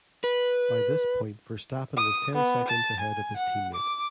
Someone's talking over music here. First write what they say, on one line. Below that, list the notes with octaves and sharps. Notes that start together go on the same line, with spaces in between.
By this point Verstappen was ten seconds ahead of his teammate.
B4
D#6
B3
A5
G#5
F#5
D6